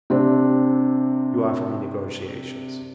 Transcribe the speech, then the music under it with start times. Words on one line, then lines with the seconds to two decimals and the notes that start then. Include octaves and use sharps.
You offer me negotiations!
0.10 C3 C4 D4